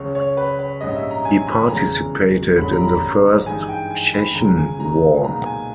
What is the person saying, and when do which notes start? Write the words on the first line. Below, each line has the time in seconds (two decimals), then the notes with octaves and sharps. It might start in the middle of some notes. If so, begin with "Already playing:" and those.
He participated in the First Chechen War.
Already playing: C#2 C#3 G#3 C#4 C#5
0.15 C#5
0.37 B4
0.59 B4
0.81 A#1 G#2 G3 C#4 D#5
0.96 E5
1.11 A#5
1.25 G#5
1.47 B5
1.70 E2 C#3 E3 G#3 A#5
2.58 A#1 G#2 G3 C#4 B5
2.72 A#5
2.83 B5
2.88 A#5
3.46 G2 E3 G#3 D#4 G#5
3.69 G5
3.90 G#5
4.13 B5
4.35 C#2 C#3 G#3 A#5
4.57 G#5
4.80 A#5
5.23 B1 A#2 G#3 B3 D#4 A#5
5.46 G#5